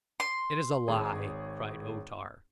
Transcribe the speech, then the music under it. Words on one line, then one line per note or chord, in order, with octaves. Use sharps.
"It is a lie!" cried O-Tar.
C6
G#1 G#4 C#5